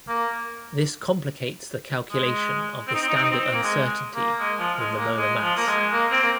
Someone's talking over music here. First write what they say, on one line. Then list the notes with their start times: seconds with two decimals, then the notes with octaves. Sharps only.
This complicates the calculation of the standard uncertainty in the molar mass.
0.08 A#3
2.11 G#3
2.87 C4
2.94 D#4
3.01 C4
3.09 D#4
3.16 C4
3.23 D#4
3.30 C4
3.53 A#3
3.63 G#3
4.15 A#3
4.40 G#3
4.58 F3
4.78 G#3
4.97 A#3
5.16 G#3
5.41 F3
5.57 A#3
5.67 G#3
5.92 A#3
6.11 C4
6.23 A#3